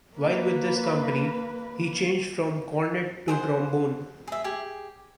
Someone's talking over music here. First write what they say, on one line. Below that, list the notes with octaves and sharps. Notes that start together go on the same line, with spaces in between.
While with this company, he changed from cornet to trombone.
A#3 B4
G#4 C5 F#5
G#4 E5
G4 G#4